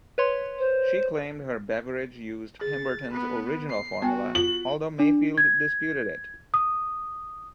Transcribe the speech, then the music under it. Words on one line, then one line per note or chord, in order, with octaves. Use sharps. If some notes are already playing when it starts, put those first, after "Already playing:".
She claimed her beverage used Pemberton's original formula, although Mayfield disputed it.
B4 C#5 C6
C5
G#4 A6
B3 B4
C7
B3 F#4 G5 G#5
F4 F#7
D4
G#6
D#6